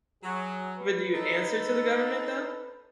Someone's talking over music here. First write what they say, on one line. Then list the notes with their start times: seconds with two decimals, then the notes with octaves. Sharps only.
But do you answer to the government though?
0.23 F#3 G#4
0.77 B4
1.14 D#4 A4